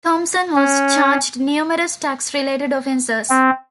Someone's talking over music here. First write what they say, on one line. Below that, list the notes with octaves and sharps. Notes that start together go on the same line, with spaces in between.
Thompson was charged numerous tax-related offenses.
C#4
C4